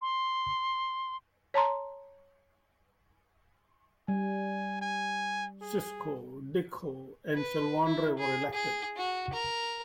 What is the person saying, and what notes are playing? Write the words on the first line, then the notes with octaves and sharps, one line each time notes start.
Sissoko, Dicko and Silvandre were elected.
C6
C#5 A5 A#5 C6
G3 G#5
G#5
G#4
B4
E4
G#4
G#4
F#4
A#4